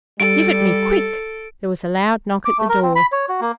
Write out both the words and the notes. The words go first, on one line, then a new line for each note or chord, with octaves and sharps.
"Give it me, quick!" There was a loud knock at the door.
G3 A4 D7
D6
A3
A#4
C4
B5
C#5
F#4
A#3